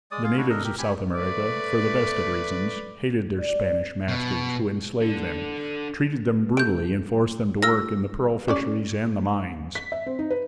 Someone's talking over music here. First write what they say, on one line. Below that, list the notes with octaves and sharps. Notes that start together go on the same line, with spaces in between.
The natives of South America, for the best of reasons, hated their Spanish masters, who enslaved them, treated them brutally, and forced them to work in the pearl fisheries and the mines.
G#3 D5 D#6
F4 G#4 F5
D4 E4 F#4
D4 A4 A#4 D#5
G4 A#4
G4 G#5 B5
A3 B4 D5
D5
B2
D4 A4
A3 G6 D7
F4 A#4 E6 F6 A#6
G3 C#4 D5
B6
E5
C4
D#4
B4